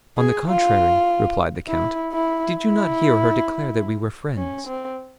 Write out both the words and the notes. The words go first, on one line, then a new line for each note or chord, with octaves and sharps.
"On the contrary," replied the count, "did you not hear her declare that we were friends?"
G#4
F4
E4
E4
E4
C#4
C4